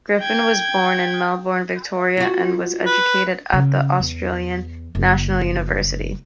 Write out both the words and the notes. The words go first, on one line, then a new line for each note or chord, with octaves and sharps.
Griffin was born in Melbourne, Victoria, and was educated at the Australian National University.
G5 G#6
F4 F#4
B4
C#3
E2
F#1